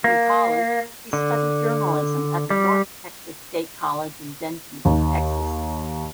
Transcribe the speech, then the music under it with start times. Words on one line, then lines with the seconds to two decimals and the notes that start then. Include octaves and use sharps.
In college, he studied journalism at the North Texas State College in Denton, Texas.
0.04 A#3
1.13 D3
2.50 G3
4.85 D#2